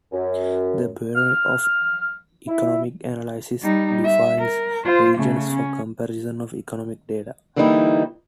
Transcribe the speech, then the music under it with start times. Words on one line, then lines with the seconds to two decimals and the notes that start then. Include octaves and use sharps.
The Bureau of Economic Analysis defines regions for comparison of economic data.
0.12 F#2
1.15 F6
2.48 E4
3.61 G3 D#4
4.04 E5
4.39 A#4
4.84 F4 C5
5.17 C#3 A3
5.53 C#4
7.56 D3 E3 G3 A#3 D#4 E4